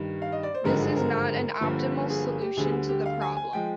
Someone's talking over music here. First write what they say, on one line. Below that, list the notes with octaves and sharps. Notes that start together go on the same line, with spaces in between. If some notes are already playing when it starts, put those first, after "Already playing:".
This is not an optimal solution to the problem.
Already playing: G2 D#3 G3
F5
D#5
D5
C5
G#1 G2 D3 F3 G#3 A#4
G#4
A#4
G1 G2 D3 F3 A#3
G#4
G#4
G4
D2 D3 G3 G#4
G4
F5
G#5
G#5
F3 G#3 G5